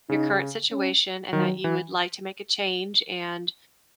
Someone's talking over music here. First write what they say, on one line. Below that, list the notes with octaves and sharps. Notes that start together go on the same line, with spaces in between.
your current situation, and that you would like to make a change, and,
C#3 D#4
C#4
D#3 F#3
E3